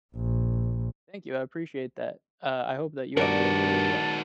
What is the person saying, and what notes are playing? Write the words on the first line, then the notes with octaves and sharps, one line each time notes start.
Thank you, I appreciate that. Uh, I hope that you have a great day as well.
A#1
G2 D#3 F#4 A#4 D5 A5